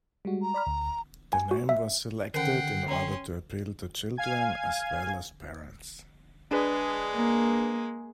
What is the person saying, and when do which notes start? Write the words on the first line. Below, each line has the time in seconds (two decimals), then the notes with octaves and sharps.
The name was selected in order to appeal to children as well as parents.
0.25 G3 G#3 F#4
0.42 A#5
0.54 D5 B5 F6
0.67 D2
1.33 G#5
1.51 F#4
1.69 E5
2.34 D3 D#3 C#4 A#4 F#5 G5 C7
2.88 C#4 G5 A#5 C6
4.17 F5 G#5 G#6
6.51 G#3 D4 G#4 B4
7.14 A#3